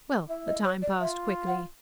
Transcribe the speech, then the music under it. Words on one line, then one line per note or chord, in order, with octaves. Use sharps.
Well, the time passed quickly.
E4 E5
D#5
C#5
D5
F4 E5
F#5